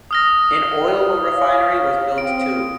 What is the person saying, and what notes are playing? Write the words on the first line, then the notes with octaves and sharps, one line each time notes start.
An oil refinery was built too.
D#6 F6 A#6
C#5 F5
C4 D7